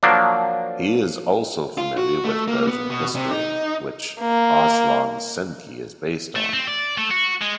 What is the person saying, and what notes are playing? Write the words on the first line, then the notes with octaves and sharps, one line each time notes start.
He is also familiar with Persian history, which "Arslan Senki" is based on.
F3 F#3 A#3 D4
F4
F#4
A3
A#3
B3
B2
C3
D#4
A#3
A3
C4
D5
A3
F#4
G#3